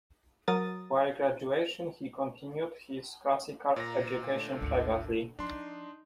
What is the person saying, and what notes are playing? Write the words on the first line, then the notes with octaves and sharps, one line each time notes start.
While graduation he continued his classical education privately.
F#3 A#4 D#6 A6
A#2 A#5 A#6
D3 A3
G#1 D2
F3 D4 D#4 C6